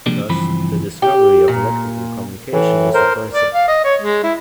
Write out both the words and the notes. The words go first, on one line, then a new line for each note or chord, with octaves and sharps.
Thus, the discovery of electrical communication was surprising.
C3 F3 G3 G#3 A#3 D4
C#2 G2 E3 F3 C4 B5
G4
A#2
A2 E3
A#4 C5
D5
F5
D#5
C#5
G#3
E4